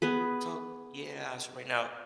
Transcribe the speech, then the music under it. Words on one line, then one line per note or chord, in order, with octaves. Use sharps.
So, yeah. So right now,
B3 G#4 B4